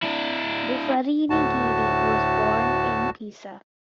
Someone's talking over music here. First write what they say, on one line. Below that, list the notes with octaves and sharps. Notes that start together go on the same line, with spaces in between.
Buffarini Guidi was born in Pisa.
D4 E4
D2 A2 F#4 A5